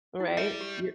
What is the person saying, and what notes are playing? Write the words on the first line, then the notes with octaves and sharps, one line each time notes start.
Right, y
E4
G3 E5
G4